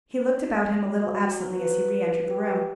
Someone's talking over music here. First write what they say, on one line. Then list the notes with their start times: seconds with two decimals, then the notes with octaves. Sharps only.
He looked about him a little absently as he re-entered the room.
1.00 F#3
1.53 B4
2.29 G4